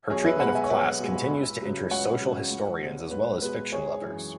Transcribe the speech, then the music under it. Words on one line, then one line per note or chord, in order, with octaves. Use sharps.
Her treatment of class continues to interest social historians as well as fiction lovers.
B1 G#4 C#5
B4 E5
B2 G#3 F#5 B5
E5 G#5
C#5
B1 B4 E5
B2 G#3
C#2
C#3 F#3
C#2 C#5 F#5
C#3 F#3
C#2
B2 G#3
C#2 B4
B2 G#3 B4
G#1 G#4 C#5
F#2 E3